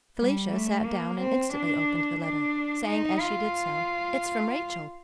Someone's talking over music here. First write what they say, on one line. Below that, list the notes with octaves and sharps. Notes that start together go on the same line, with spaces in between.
Felicia sat down and instantly opened the letter, saying as she did so: "It's from Rachel."
G3
A3
A#3
C4
D4
D4
D#4
F4